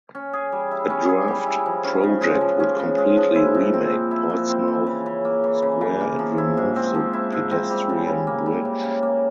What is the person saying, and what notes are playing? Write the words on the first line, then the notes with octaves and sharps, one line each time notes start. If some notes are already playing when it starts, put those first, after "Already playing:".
A draft project would completely remake Portsmouth Square and remove the pedestrian bridge.
C#4
G#4
G3
E4
C#4
G#4
G3
E4
F3
C#4
C#3
G#3
F3
C#4
C#3
G#3
F3
E4
A#2
C4
F3
E4
A#2
C4
E3
C#3
C#3
A#3
E3
C#3
C#3
A#3
F3
E4
G#2
C4
F3
E4
G#2
C4
G3
C#3
C#3
A#3
G3
C#3
C#3
A#3